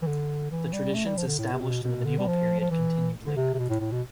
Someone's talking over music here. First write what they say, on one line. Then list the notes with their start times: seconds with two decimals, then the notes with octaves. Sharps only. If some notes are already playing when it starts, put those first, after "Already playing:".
The traditions established in the medieval period continued later.
0.02 E3
0.07 D3
0.51 E3
0.73 G3
0.95 A3
1.06 G3
1.17 F3
1.27 D3
1.38 A2
1.53 C3
1.61 B2
1.83 B2
2.05 D3
2.18 G3
2.27 F3
2.60 F3
2.71 E3
3.26 D3
3.36 C3
3.54 C3
3.58 B2
3.70 A2
3.80 A2
3.92 B2